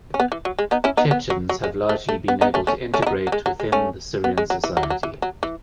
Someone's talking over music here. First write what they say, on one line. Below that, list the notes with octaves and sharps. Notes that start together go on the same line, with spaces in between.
Chechens have largely been able to integrate within the Syrian society.
C#4
B3
E3
F#3
G#3
B3 D#4
C#4 E4
B3 D#4
B3
F#3
F#3
G#3
A3
A3
B3
B3 D#4
A3 C#4
A3 C#4
A3 C#4
E4
B3 D#4
F#3
G#3
F#3
G#3
A3 C#4
B3
G#3
F#3
E3
F#3
E3
F#3
E3
F#3
E3